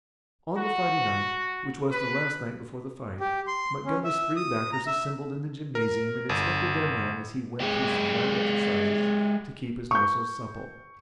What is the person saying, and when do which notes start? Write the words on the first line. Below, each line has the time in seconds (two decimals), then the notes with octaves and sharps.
On the Friday night, which was the last night before the fight, Montgomery's three backers assembled in the gymnasium and inspected their man as he went through some light exercises to keep his muscles supple.
0.56 F#4
1.91 B4
3.20 G4
3.47 C6
3.86 C#4
4.04 E5
4.36 D#6
4.73 A#5
4.87 E5
5.75 A#4
6.29 G1
7.60 G#3 G4
9.91 C#6 G6